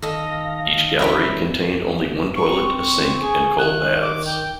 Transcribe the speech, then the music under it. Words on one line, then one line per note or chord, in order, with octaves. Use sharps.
Each gallery contained only one toilet, a sink and cold baths.
D#3 A4 D#5 F5 A#6
E3 C#4 A#4 B4 E5 B5
C4 C#6
C#6
G#4
D#3 F#6
D6
G5